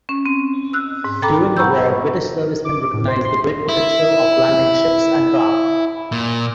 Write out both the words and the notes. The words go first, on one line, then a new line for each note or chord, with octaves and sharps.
During the War British servicemen recognised the great potential of landing ships and craft.
C#4
C4
E6 F#6
G#2
A4 G5 A#5 B5 D6
F#5 A#5 B5 C#6 E6 G6
D6
A2
C5
C6
E4
A#2